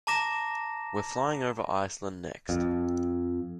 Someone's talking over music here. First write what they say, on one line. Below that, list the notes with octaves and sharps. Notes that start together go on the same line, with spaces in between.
We're flying over Iceland next.
A5 A#5 D6 A#6 E7
F2